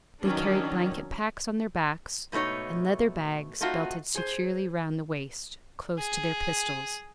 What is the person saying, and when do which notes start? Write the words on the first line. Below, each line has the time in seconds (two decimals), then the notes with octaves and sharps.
They carried blanket packs on their backs and leather bags belted securely round the waist close to their pistols.
0.22 D#3 F#3 C#4 D4
2.32 G#2 B2 A3 D#4 C#5
3.61 A3 C4 D#4 F4 F#4
4.15 G#4 C5
5.99 G#4